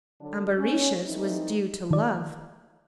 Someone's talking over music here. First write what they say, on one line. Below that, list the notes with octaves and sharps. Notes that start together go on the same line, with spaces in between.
Ambarisha's was due to love.
D3 F#3 D4
C#4 D#4
E3 G3 A3 C4 D#4
D#3 D5